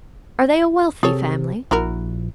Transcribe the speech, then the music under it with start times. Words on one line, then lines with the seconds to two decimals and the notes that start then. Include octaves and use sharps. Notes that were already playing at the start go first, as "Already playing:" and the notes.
"Are they a wealthy family?"
1.03 C3 G#4 A4 C#5
1.71 A#1 E4 F#4 A#4